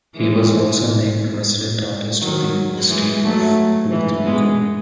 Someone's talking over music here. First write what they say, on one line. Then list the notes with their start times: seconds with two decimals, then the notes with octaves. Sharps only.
He was also named resident artist of the University of Puerto Rico.
0.15 E3 G#3
2.21 D#3 F#3
2.89 E3 G#3
3.23 F#3 A3
3.91 E3
4.26 G#3 B3